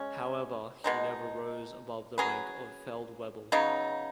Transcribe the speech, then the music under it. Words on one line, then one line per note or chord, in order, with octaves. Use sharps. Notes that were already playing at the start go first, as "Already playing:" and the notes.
However, he never rose above the rank of Feldwebel.
Already playing: G#3 C#4
B2 G#3 D#4
F#3 C#4 G#4 B4
C#3 F#3 B3 D#4